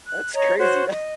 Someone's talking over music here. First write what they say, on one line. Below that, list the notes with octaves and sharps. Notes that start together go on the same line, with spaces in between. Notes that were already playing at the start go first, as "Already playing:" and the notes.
that's crazy. That
F#6
C#5 D#5 A#5
F#4 C5 C#5
D#5